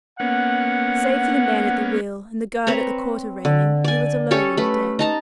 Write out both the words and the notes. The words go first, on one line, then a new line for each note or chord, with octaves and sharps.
Save for the man at the wheel and the guard at the quarter-railing, he was alone on the deck.
A#3 B3 C#4 F#5
C4 B4 C#5 A#5
D3
D5 G#5
C#4 G4 A4 C#5
A3 B4
D#4 A5 A#5